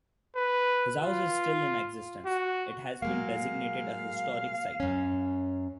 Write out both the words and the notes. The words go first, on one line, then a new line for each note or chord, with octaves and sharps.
His house is still in existence; it has been designated a historic site.
B4
F4
F#4
F#3 G#3 A#3 F5
F#2 C#4